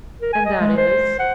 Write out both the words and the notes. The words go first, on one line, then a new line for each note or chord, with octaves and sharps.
"And that is?"
A#4
G#5
D#5
G#3
C5
F#5